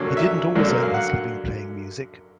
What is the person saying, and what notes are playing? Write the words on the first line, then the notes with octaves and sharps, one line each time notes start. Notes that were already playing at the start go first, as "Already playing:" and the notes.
He didn't always earn his living playing music.
Already playing: G2 D3 F#3 A#3 C#4
E5
F#2 D3 F#3 A#3 D4
F5
F#5